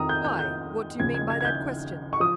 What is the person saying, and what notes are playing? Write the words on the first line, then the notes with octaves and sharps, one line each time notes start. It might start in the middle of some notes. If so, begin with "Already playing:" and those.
"Why?--what do you mean by that question?"
Already playing: F2 D#3 A#5 D#6
G6
G6
G6
D#2 C#3 F3 G#6
G#6
G#6
G#6
G6
C#6
F3 D#6